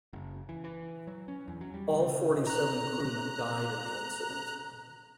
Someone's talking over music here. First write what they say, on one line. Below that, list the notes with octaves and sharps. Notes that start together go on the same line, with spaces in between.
All forty-seven crewmen died in the incident.
F#1
E3
E3
F#3
C#4
E2
F#3
G3
C#3
A#5 F#6